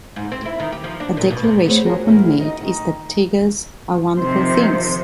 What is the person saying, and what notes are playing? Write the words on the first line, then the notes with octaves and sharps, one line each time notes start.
A declaration often made, is that Tiggers are wonderful things.
G#2
C4
E4
D#3
G4
F3
D4
A#2
B2
C3
A3 B3 G#4 A#4 C5 C#5
F4 F#4 G#4 A#4 C#5
E2 A2 E4 A#4
D#4 D#5
D#3 D#4
C3 D#3 F3 C5